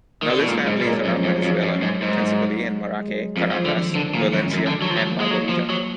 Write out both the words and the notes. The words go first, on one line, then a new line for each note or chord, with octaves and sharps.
Now this family is around Venezuela, principally in Maracay, Caracas, Valencia and Margarita.
D#3
D3
B2
A#2 G#3
F#3
G#2 G#3
B2
A#2 F#3
F#2 F3
F2
F3
F#3
F2
F#2
G#2
G#2
G#3
G#3
F#3
F2 F3
F2
F3
D3
D#3
D3
D#3
A#2 F3
F#2 G#3
F#2
D3
F#3
F3
F#3
A#3
G#3
F#3
F3
F#3